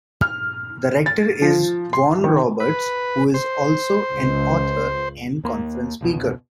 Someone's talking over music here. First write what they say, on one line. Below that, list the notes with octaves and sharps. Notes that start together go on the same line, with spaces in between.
The rector is Vaughan Roberts who is also an author and conference speaker.
F6
A6
F3
C6
D#3
B4
C5
C#2
D#2 A#3
F1 C#2 B2